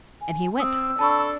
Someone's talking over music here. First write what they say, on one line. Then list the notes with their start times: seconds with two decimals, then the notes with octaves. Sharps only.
And he went.
0.21 G#5
0.60 C4 D#6 E6
0.99 D4 A4 A5 B5 C#6